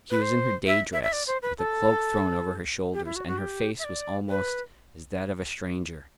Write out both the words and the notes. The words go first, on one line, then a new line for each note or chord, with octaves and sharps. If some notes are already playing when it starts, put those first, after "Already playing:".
She was in her day-dress, with a cloak thrown over her shoulders, and her face was almost as that of a stranger.
B4
C5
E5
E5
E5
D5
C5
B4
A4
G4
E4
F#4
F#4
G4
E5
D5
B4